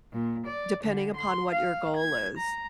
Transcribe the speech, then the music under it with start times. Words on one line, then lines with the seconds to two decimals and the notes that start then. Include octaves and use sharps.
depending upon what your goal is,
0.12 A#2
0.46 D5
0.82 D3
1.16 C6
1.51 F5
1.96 G#6
2.36 A#5